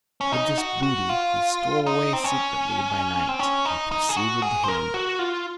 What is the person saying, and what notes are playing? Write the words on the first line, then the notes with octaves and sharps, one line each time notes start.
With this booty he stole away secretly by night, and proceeded to Hamburgh.
C#4
D#4
F#4
F#4
F4
D#4
C4
C#4
C4
C#4
D#4
D#4
G#4
F#4
G#4
C5
A#4
F#4
F4